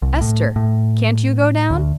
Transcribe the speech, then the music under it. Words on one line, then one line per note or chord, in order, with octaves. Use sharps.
Ester, can't you go down?
C2
A2
A2
D2